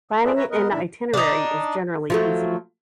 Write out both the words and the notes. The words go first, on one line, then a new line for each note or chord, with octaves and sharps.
Planning an itinerary is generally easy.
F4 G#4 A4 B4 D5 E5
B4 C#5 E5 A#5
B3 A#4 B4 D#5
A2 D#3 D4 E4 E5
D4 D#4
F3 F#3 A3